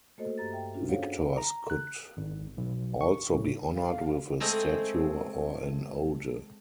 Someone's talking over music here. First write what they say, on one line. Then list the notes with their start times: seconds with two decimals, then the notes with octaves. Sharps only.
Victors could also be honored with a statue or an ode.
0.18 A3 A#3 F#4 A4 C5 D#5
0.38 G2 G4 A#5 A6
0.52 E5 G5
0.74 C#4 D4 F4 F#4
0.89 G#4 A4 C5 C#5 F5 F#5
1.37 A#5
1.70 F#6
2.17 G#1
2.57 B1
3.01 C#6
3.32 A2
3.74 F5
4.40 G#3 A3 C4 D#5